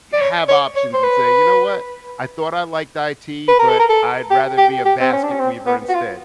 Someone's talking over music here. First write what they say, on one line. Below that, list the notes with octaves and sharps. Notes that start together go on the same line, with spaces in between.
have options and say, "You know what? I thought I liked IT, but I'd rather be a basket weaver instead."
D5
C#5
C#5
C#5
C5
B4
B4
A#4
A4
A#4
A4
G4
G4
G4
C4
C#4
D4
C#4
C4
B3
F#4
F4